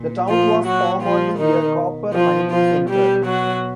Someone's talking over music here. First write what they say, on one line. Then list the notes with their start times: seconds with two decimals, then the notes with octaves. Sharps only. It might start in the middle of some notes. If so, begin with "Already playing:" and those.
The town was formerly a copper-mining center.
Already playing: A#2
0.28 F3 F4
0.65 F#3 F#4
1.03 F3 F4
1.39 D#3 D#4
1.77 B2
2.14 F3 F4
2.51 F3 F4
2.89 G3 G4
3.26 F#3 F#4